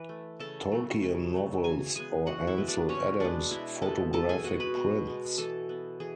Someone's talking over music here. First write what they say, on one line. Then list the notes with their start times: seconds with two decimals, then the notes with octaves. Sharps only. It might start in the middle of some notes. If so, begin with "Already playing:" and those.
Tolkien novels, or Ansel Adams photographic prints.
Already playing: E3 B4
0.09 A3
0.40 C#3 A4 A5
0.72 F#3 A3
1.02 C#3
1.34 F#3 A3
1.64 E3 G#4 G#5
1.95 G#3 B3 G#4 G#5
2.26 E3 F#4 F#5
2.47 E4 E5
2.58 G#3 B3
2.68 D4 D5
2.89 B2 C#4 C#5
3.20 G#3 B3 D4 D5
3.51 B2 E4 E5
3.82 G#3 B3 A4 A5
4.13 B2 A4 A5
4.29 G#4 G#5
4.44 G#3 B3 F#4 F#5
4.60 B4 B5
4.76 B2
5.07 G#3 B3
5.37 E3 A4 A5
5.69 B3
6.00 E3 G#4